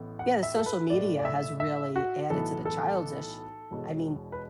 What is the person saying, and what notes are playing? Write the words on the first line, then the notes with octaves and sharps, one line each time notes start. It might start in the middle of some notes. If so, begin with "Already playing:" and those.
Yeah, the social media has really added to the childish, I mean,
Already playing: A1 A2 E3 B3
F#5
E5
A4
B4
B1 A2 A3 D5
D5
E5
E5
F#4
B1 A2 E3 B3 A4
A4
E1 E2 B2
B4